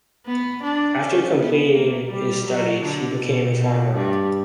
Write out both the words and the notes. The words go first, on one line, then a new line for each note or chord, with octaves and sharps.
After completing his studies he became a farmer.
B3
D4
C#4
B3
A#3
G3
F#3
D3
B2
B2
G2